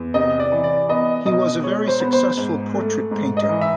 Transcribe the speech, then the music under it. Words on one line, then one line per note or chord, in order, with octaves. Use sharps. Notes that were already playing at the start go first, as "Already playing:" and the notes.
He was a very successful portrait painter.
Already playing: E2
C3 D#5
D5
E3
D5
B3 D#5
B2 D#5
G#3 C#5
C5
B3
C5
G#2
A3
G#2
D#5
E3
E5